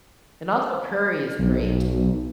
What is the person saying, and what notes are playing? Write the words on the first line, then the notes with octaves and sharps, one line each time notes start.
and also, curry is great.
B1